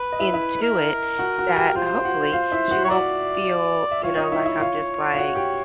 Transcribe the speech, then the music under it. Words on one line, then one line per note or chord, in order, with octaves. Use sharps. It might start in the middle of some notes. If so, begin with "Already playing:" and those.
into it that, hopefully, she won't feel, you know, like I'm just like,
Already playing: B4
D#5
E4 E5
E4 E5
A#4
F#4 F#5
F#4 F#5
G4 G5
F4 C5 F5
F#4 F#5
F4 F5
E4 E5
F#4 F#5
C#5
F#4 D5 F#5
E5
F4 C#5 F5
D#4 D#5
E4 E5
E4 E5
F4 F5
F5
F#4 F#5
G4 G5